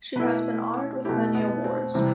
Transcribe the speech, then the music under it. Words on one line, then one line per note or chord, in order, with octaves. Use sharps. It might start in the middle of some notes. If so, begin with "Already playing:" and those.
She has been honored with many awards.
B2 A3 E4 B4
B2 A3 E4 G4
B3
C4
C3 E3 G3 C4